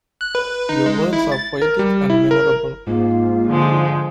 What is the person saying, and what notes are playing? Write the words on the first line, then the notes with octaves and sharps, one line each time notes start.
Your words are poetic and memorable.
F#6
B4
D#4
G#3
E4
A6
A#4
G3
E4
A#4
G#2 A#3 F4
D3 F3 G#3